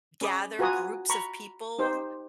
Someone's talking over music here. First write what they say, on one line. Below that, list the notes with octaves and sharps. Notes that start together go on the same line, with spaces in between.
gather groups of people,
C#4 G#4 B5 D6 D#6
F4 F#4 B4 G#5 A#5 D#6
A#5 B5 C#6
D#4 G4 C5